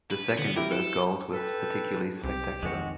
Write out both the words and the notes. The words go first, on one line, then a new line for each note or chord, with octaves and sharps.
The second of those goals was particularly spectacular.
B4
D3 B3
E4 G4 A#4
A4
A4 B4 G5
C2 G4
F2 D#3 G#3 F#4